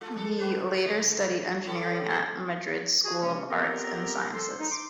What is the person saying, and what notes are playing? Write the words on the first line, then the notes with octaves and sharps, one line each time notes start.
He later studied engineering at Madrid's School of Arts and Sciences.
G#3 F4 A4
F3 A#3 A4
F#4 B4 C5
C#3 A3 A#3
B3 C#4 A4
F#3 C5
F#4 G#4
C3 E3 G#3 A#3 C#4
B3 C4 F4 G4 A4 A#4
F3 A4 C6
D#4
C6 D6